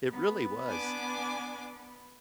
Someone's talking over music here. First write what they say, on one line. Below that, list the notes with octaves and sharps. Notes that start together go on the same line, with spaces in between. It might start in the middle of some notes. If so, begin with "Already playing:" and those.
It really was.
B3 B4
D4 G#5 D6